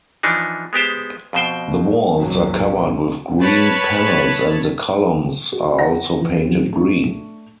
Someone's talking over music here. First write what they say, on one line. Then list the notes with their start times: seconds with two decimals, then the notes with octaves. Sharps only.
The walls are covered with green panels and the columns are also painted green.
0.23 E3 F3 D4 D#4
0.73 G#3 B3 G4 C5
1.33 F2 B2 C5 G5
2.16 C2 F#2 A#2 F#3
3.41 B4 C#5 A5 B5
5.52 F#4
5.79 F#5 G5 A#6
6.20 E3
6.45 F#3 C4
6.72 A3 D4 C#6